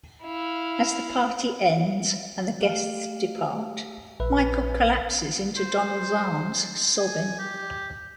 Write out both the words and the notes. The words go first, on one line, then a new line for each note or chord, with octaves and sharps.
As the party ends and the guests depart, Michael collapses into Donald's arms, sobbing.
E4 F5
A3 G4 F5
A#1 B4 E5
C5
G#5
G4